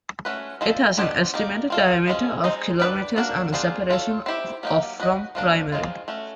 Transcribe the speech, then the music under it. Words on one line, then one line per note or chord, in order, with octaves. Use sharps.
It has an estimated diameter of kilometers and a separation of from primary.
A3 C#4 F#4 B4
F3 G#3 C4 E4 A4
B3 D4 G4 C5 D#5
G3 A#3 D#4
C4 F4 A4
F3 G#3 C#4
G#3 C4 D#4
D4 G4 B4 D5
A#3 D4 F#4 A#4
A#3 D4 F4 G#4 C5
D4 F4 A4 C#5
C4 E4 G4
F#3 A#3 D#4 G4
D4 F#4 B4 D#5
F3 A#3 D4 F#4
D#3 G#3 C4 F4
A3 C#4 F#4